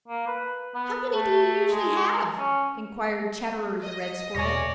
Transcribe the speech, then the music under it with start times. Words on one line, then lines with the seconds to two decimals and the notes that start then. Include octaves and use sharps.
"How many do you usually have?" inquired Chatterer the Red Squirrel.
0.08 A#3
0.27 B4
0.75 B3
1.13 A3
1.70 G#3
2.38 C#4
3.82 D#5
4.35 E2 B2 C#5 D5 G#5 A#6